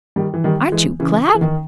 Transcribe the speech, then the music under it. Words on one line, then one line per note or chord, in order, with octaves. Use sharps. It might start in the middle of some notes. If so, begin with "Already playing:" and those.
Aren't you glad?
D#3 G3
E3
D#3 G3
E3 G#3
C#3 E3
E3
D#3